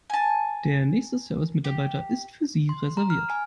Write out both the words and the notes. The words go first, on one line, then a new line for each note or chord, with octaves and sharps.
Der nächste Service-Mitarbeiter ist für Sie reserviert.
G#5 A5
G4
C6
A#5
F6
G#5